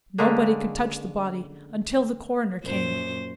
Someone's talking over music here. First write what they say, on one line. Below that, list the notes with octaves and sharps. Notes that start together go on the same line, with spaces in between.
Nobody could touch the body until the coroner came.
D3 G#3 A#3 C#4
F#2 A#2 C5